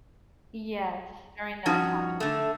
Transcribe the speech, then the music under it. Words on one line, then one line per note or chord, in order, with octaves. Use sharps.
Yes, during that tough
G2 F3 C#4 D#4 F#4
D3 A3